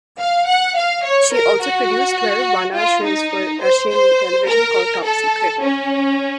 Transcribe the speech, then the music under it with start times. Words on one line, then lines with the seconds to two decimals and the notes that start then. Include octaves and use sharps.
She also produced Twelve one-hour shows for Russian television called "Top Secret".
0.19 F5
0.48 F#5
0.76 F5
1.04 C#5
1.34 A#4
1.61 F#4
2.76 F4
3.04 D#4
3.61 C5
3.90 C5
4.47 A#4
5.04 A4
5.62 C#4